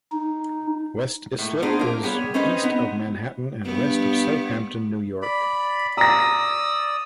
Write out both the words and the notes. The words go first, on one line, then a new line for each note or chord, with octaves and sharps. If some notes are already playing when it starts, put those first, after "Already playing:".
West Islip is east of Manhattan and west of Southampton, New York.
D#4
A2 A3 A#3
B3 D4 D#4 F4 G#4 C5
A#3 A#4
G3 B3 G#4 C#5
C4 C#4 D#4 B4 C5 D#5
B3 D#4
G2 G3 B3
D5 B5
D5 A#5 D#6 E6 A#6